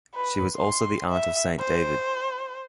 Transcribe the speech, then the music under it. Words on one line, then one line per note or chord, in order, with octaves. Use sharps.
She was also the aunt of Saint David.
B4
C6
E5
C5